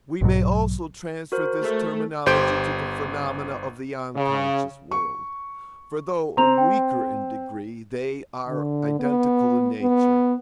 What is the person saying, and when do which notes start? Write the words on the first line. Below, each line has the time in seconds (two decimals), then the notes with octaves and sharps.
We may also transfer this terminology to the phenomena of the unconscious world, for though weaker in degree, they are identical in nature.
0.21 B1 G#2 B2 F#3
1.32 F#4 A#4 C5
1.61 A3
2.26 G1 G4 C5 C6 G6 D7
4.15 C#3
4.91 C#6
6.37 C4 A#5 F7
6.58 G5
8.48 D3
8.99 B3
9.81 B3